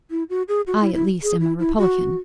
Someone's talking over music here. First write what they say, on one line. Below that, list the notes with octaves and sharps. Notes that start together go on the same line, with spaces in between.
"I, at least, am a Republican!"
E4
F#4
G#4
F#4
E4
E4
G#4
E4
E4
F#4